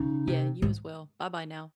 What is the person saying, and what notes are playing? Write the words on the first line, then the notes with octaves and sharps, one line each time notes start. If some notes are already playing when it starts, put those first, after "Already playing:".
Yeah, you as well. Bye-bye now.
Already playing: C#3 D#4
C3
G#2